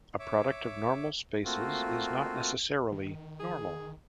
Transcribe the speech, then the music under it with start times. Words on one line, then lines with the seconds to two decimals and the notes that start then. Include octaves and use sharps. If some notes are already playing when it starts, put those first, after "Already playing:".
A product of normal spaces is not necessarily normal.
0.19 C#5 E5 D6
1.45 A3 A#3 C4 F4 F#4
2.92 D#3
3.39 G#4